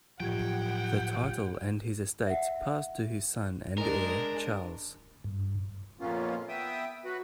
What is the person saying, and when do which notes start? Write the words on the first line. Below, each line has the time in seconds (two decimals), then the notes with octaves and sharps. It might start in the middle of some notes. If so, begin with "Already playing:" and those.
The title and his estates passed to his son and heir Charles.
0.20 A2 F3 F#3 F4 G4 F#5 G5 G#6
2.27 E5 F#5
3.78 G#3 D4 A#4
5.24 G2
6.00 F2 A#2 A#3 B3 C#4 F4
6.49 B3 E5 G5 D#6
7.05 F#3 F#4 B4